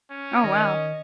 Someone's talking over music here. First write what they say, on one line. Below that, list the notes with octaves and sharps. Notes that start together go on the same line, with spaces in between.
Oh wow.
C#4
D#3 D#5 A#6